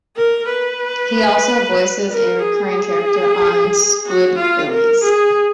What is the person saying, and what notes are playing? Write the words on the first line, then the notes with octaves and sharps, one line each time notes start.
He also voices a recurring character on Squidbillies.
A#4
B4
A#4
G#4
F#4
F4
A#4
G#4